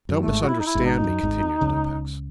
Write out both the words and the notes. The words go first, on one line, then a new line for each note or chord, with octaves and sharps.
"Don't misunderstand me," continued Lupex.
F#2
A3
G#1 G#2
F#4
E4
D#4
E4
G#1 G#2
D#4
F#2
G#1 G#2
C#2 C#3